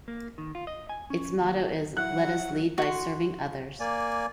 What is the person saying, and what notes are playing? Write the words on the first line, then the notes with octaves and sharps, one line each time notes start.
Its motto is Let Us Lead By Serving Others.
A#3
D#3
F4
D#5
G#5
C#4
D#2
F#3 E4 F#5 F#6
F#4 C6
A#3 D5 G#5